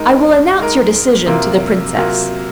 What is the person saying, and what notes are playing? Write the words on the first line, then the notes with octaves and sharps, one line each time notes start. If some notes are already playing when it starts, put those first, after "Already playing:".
I will announce your decision to the Princess.
Already playing: G#3 D#4 A#4
G#3 D#4 A#4
C3 F#3 A#3 F4 A#4
C3 F#3 A#3 F4 A#4